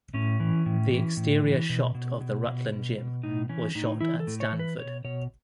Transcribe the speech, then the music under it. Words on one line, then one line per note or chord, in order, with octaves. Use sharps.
The exterior shot of the Rutland gym was shot at Stanford.
A2 C#4
E3
A2
E3
A2
E3
B2
B2
B2
B2
B2
B2
A2 D#4
E3 C#4
A2 D#4
E3 E4
A4
A2
C#5
E3
B4
B2 C#5
B2 C#5